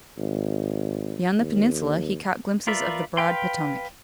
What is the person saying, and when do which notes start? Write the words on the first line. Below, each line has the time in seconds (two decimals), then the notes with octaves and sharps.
Beyond the peninsula he caught glimpses of the broad Potomac.
0.18 G#1
1.40 D#2
2.67 F4 A#4 B4 D5 E5
3.17 B4 F5 G5 C6